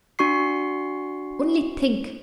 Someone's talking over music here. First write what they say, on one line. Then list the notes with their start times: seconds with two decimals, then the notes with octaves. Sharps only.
Only think!
0.19 D4 F#4 C#6 C7